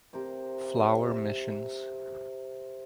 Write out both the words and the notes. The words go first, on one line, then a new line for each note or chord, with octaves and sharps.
Flower Missions.
C3 A#4 C5 D6